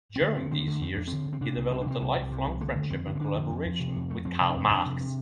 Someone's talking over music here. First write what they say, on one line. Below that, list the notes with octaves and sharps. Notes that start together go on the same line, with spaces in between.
During these years, he developed a lifelong friendship and collaboration with Karl Marx.
C4
D3 A3
D3 C4
D3 C4
D3 A3
F2 C4
F2 D4
D3 C4
D3
C4
C3 D4
C2
C3 C4
D4
C3 C4
C2 G3
C2 G3
C3
C2
D3 A3
C4
D3 A3
F2 C4
D3 D4
C4
D3 D4
F2 D3
F2 F3
F2
C3
F2
F2 A3
F2 C4
C3
D4
F2 C4
F2 D4
C3
C3